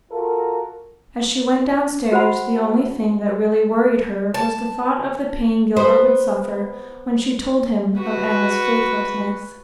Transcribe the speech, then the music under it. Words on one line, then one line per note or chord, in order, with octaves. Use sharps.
As she went downstairs, the only thing that really worried her was the thought of the pain Gilbert would suffer when she told him of Anna's faithlessness.
F4 F#4 A4 A#4
F#4 C5 F#5 B5
A5
B3 C5
F#4 B4